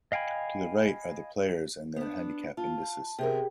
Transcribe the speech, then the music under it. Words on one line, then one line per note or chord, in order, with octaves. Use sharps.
To the right are the players and their handicap indices.
D#5 F5 G5 G#5 B5
B3 D4
F4 A5
C3 B3 G4 G#4 A#4 G5